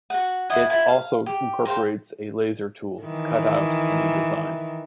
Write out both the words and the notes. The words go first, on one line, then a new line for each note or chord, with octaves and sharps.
It also incorporates a laser tool to cut out any design.
F#4 F#5
E4 D#5 F#5 G#5
E4 F4 G#5 A5
F5
G4
A#4 C5 F5 G5
D#3 E3